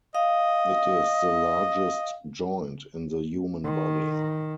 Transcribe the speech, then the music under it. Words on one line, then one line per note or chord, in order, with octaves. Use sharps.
It is the largest joint in the human body.
D#5 F5
D#3